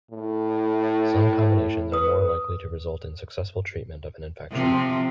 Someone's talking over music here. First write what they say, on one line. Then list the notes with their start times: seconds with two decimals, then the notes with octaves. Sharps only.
Some combinations are more likely to result in successful treatment of an infection.
0.11 A2
1.92 B4 D#6
4.52 C3 F3 C4